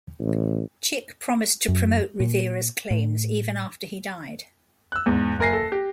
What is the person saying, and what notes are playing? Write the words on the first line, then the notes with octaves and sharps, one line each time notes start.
Chick promised to promote Rivera's claims even after he died.
A1
F#2
A#2
A2
E6 F#6
E2 G#2
F#1 A#4 G#5 A#6 C7
A4
G4